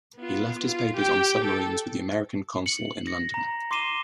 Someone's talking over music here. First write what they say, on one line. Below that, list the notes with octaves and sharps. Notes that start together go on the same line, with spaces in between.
He left his papers on submarines with the American consul in London.
B3 F4
F4
G4 G5
A4
C#7 F#7
A#6 C#7
A#5
C6 D6 C7 D#7 E7 G7